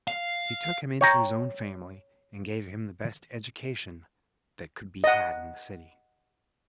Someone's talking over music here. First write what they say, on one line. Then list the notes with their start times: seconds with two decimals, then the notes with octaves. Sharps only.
He took him into his own family, and gave him the best education that could be had in the city.
0.08 F5
1.01 C#5 G5 A#5
5.04 D#5 F#5